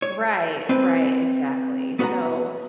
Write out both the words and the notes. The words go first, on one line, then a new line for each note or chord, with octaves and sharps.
Right, right, exactly. So,
C#5
C4 B4
B3 F#4 B4 E5 F#5 A#5